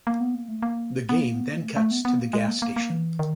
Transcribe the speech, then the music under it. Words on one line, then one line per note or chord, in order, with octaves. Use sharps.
The game then cuts to the gas station.
A#3
B3
A#3
A3
A#3
B3
A#3
B3
A#3
A3
A3
B3
B3
A#3
G#3
A#3
A#3
A#3
E3
D#3